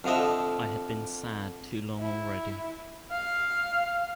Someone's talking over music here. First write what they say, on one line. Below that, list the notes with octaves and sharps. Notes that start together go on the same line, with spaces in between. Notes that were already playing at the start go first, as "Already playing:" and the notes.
I had been sad too long already.
F2 D3 F3 D#5 E5
E4
F5